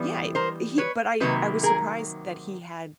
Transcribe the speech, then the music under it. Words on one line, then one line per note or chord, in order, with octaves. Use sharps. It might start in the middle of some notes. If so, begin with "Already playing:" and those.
Yeah, i he but I I was surprised that he had
Already playing: E3 G3 B3
A#4 C5
B4 C#5
C3 D#3 F#3 A#3 B4
G#4 A#4